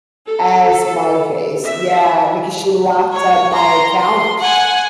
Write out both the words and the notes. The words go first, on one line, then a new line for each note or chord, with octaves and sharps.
as my face yeah, because she locked up my account,
A4
E5
C#5
A#5 C6
C6
F#5 G#5